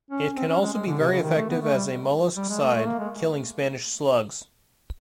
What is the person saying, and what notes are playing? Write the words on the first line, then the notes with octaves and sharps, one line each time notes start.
It can also be very effective as a molluscicide, killing spanish slugs.
C#4
C4
C#4
G#3
G#3
D3
C3
C#3
D#3
A3
B3
A3
G3
G3
G#3
A3
A3
A#3
G#3